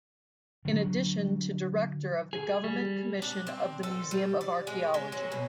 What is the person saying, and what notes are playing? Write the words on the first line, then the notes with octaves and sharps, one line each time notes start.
In addition to director of the Government Commission of the Museum of Archeology.
D3 F#3
G#4
G3
D4
C4
A4
G3
D5
G#3
G#3
F#3
B2